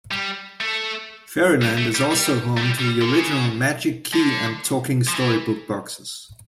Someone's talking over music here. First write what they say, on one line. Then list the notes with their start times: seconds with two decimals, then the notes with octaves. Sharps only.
Fairyland is also home to the original "Magic Key" and Talking Storybook Boxes.
0.11 G3
0.61 A3
1.62 G3
1.78 A3
1.95 G3
2.12 G3
2.57 A3
2.62 G3
2.79 G3
3.01 D3
3.12 C#3
4.13 D3
5.07 F3
5.15 E3